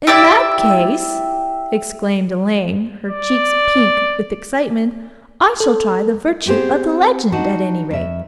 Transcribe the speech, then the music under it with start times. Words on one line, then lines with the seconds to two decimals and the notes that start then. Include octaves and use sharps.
"In that case," exclaimed Elaine, her cheeks pink with excitement, "I shall try the virtue of the legend, at any rate."
0.07 E4 G4 D5 E5
3.10 D5
5.60 A4
6.46 B3 C4 G4 G#4 C5
7.32 D4 D#4 F#4 F#5 A5
7.91 F2 E5